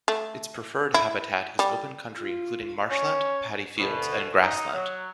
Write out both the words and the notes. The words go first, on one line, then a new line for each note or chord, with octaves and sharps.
Its preferred habitat is open country including marshland, paddy fields and grassland.
A3
E4
G3
F4
C#4 C#5
D2 B2
D#4
F#3